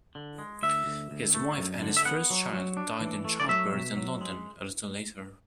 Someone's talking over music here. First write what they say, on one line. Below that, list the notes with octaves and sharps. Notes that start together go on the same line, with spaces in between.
His wife and his first child died in childbirth in London a little later.
D3
G#3
D2 E5
D2
D2
A3
F#2
D3
E5
B3 F#5
F#3
F#3
D4
E3
A3
D5
F#3 E5
B2
F#3
G#3